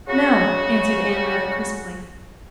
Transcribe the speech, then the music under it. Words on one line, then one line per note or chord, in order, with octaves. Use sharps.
"No," answered Anne, rather crisply.
C#3 F#4